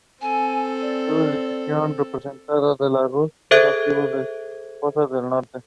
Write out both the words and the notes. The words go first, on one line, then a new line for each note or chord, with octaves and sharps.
It is recorded between Lisbon and Madeira.
C4 A4 G#5
D5
G#4 A4 C5 E5 F#6 G#6